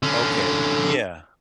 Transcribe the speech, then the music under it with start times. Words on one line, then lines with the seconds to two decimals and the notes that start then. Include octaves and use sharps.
Okay, yeah.
0.03 D3 C#4